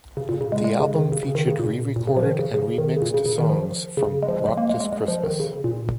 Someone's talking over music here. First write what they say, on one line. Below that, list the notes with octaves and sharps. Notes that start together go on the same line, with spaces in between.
The album featured re-recorded and remixed songs from "Rock This Christmas".
C#3
A#2
C#3
G#3
G#3
C#3
D#3
C#3
C#3
D#3
C#3
A#2
A#2
C#3
F3
D#3
C#3
C#3
D#3
C#3
A#2
C#3
C#3
D#3
F3
C#3
G#3
F3
G#3
A#3
G#3
G#3
G#3
F3
D#3
C#3
A#2